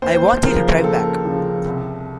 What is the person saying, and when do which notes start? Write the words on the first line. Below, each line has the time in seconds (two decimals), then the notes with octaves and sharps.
I want you to drive back.
0.02 D#2 C5
0.43 C#3 F3 A#4
0.84 D#2 A4
1.25 C#3 F3
1.65 C2